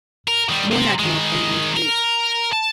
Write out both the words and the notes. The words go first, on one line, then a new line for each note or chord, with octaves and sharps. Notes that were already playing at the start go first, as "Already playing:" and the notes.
Monadnock and Mount Grace.
A#4
D#3 G3
C3 C4
D#3 G#3
A#4
A5